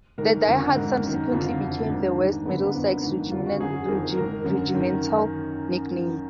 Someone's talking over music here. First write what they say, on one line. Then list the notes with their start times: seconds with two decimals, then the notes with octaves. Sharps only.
The 'Die Hards' subsequently became the West Middlesex's regimental nickname.
0.18 G#2 D#3 A#4
0.47 F2 D3
0.75 G#2 D#3 A#4
1.03 F#2 D#3
1.32 F2 D3 F4
1.61 F2 D3
1.89 G#2 D#3 D4
2.17 G#2 D#3
2.45 F#2 D3 B3
2.60 A#3
2.68 D4
2.74 F2 D3 B3
2.88 D4
3.03 G#2 D#3
3.31 F2 D3 F4
3.46 F#4
3.60 F#2 D3 G#4
3.88 F2 D#3 A#4
4.17 G#2 D#3 A#4
4.45 F#2 D3
4.73 F#2 D#3